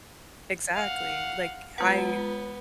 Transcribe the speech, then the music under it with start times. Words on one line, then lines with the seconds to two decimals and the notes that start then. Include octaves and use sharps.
Exactly, like, I
0.74 F5 F#5
1.78 G#3 B3 F4 F#5